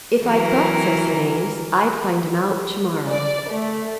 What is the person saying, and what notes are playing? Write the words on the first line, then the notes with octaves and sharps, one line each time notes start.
"If I thought so," said Eames, "I'd find him out to-morrow."
E3 F#3 A#4
D5
A3